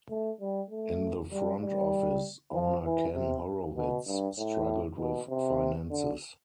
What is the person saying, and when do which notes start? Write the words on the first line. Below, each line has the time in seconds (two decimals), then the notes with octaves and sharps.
In the front office, owner Ken Horowitz struggled with finances.
0.10 A3
0.41 G3
0.71 A3
1.32 G3
1.63 G3
2.54 F3
2.85 E3
3.15 C3
3.77 B2
4.07 G2
4.38 A2
4.99 B2
5.29 C3
5.90 D3